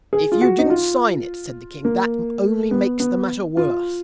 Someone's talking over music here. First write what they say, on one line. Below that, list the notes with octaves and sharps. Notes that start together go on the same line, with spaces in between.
'If you didn't sign it,' said the King, 'that only makes the matter worse.
G#4
F4
F#4
D#4
F4
A#3
B3
B3
F4